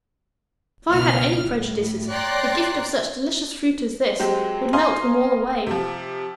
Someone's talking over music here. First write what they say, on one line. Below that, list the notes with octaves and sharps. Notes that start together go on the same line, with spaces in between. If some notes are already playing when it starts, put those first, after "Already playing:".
'If I had any prejudices, the gift of such delicious fruit as this would melt them all away.
C#2 B2 F6
A2
C#5 D5 G5 A#5 C6 F#6
F#3 G#3 C4 G4
D#5 F5 G#5 A#5 C6
C3 F3